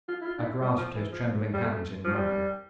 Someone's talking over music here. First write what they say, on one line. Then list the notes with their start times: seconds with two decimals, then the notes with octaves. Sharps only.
I grasped his trembling hands in mine.
0.08 F4
0.22 E4
0.26 F4
0.38 D4
0.43 E4
0.61 G3
0.78 F3
0.95 E3
1.12 F3
1.54 G3
1.64 A3
2.05 F3
2.15 G3